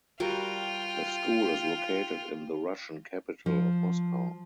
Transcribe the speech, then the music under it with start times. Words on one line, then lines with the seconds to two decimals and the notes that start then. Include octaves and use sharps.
The school is located in the Russian capital of Moscow.
0.20 G3 F4 F#4 A#4 G5
3.46 F3